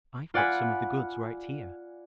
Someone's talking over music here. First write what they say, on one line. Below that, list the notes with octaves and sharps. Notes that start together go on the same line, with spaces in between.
I've got some of the goods right here.
F4 D5 F#5 G#5 B5